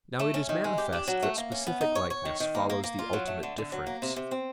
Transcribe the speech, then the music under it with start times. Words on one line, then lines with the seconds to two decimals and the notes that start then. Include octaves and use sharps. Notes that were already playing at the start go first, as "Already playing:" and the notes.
Now it is manifest that specific likeness follows the ultimate difference.
0.19 A3
0.34 C#4
0.49 D#3
0.64 G#3
0.78 G4
0.93 D4
1.07 F#3
1.22 A3
1.38 A#3
1.52 C#4
1.67 B3
1.81 D#4
1.95 C#5
2.10 C#5
2.25 D#3
2.40 D#3
2.55 A#3
2.70 A#3
2.84 A#3
2.99 F4
3.13 F#3
3.27 A3
3.43 D3
3.58 D3
3.72 F#3
3.87 A#3
4.02 C3
4.16 C3
4.31 C4